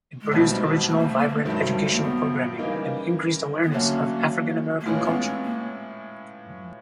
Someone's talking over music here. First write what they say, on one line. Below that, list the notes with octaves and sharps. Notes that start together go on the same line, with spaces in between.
It produced original, vibrant, educational programming and increased awareness of African-American culture.
G#3
B1 B2 G3 A3 C4 D#4
G#3
A3
A#3
A3
A#3
A3
G2 D#3 F#3 G#3 A3 C4
G3
G#3
A#3
B3
C#3 E3 G3 A#3 D#4
B3
D3 F#3 A3 A#3 C#4 F#4
A#3
A2 E3 G#3 A3 C#4 F4
B3
C4
A#3